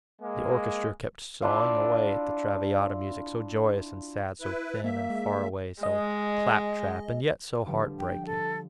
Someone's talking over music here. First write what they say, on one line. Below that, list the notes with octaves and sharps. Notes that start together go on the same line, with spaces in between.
The orchestra kept sawing away at the "Traviata" music, so joyous and sad, so thin and far-away, so clap-trap and yet so heart-breaking.
G#3 A#3
D4 E4 F4
E4 B4
A#3 E5
G#3
G#3 D#5
D3 F3 G3
G5
A4